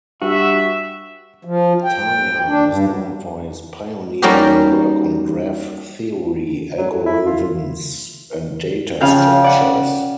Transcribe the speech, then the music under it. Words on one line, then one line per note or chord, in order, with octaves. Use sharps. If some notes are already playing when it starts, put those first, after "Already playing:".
Tarjan is known for his pioneering work on graph theory algorithms and data structures.
G2 F#4 E5
F3
G5
D4
G2
G3 A#3 C#4 D#4 F#4 G4
F#3
A2
E4
F4
C#3 F3 F5 G5 F#6
D5 F#5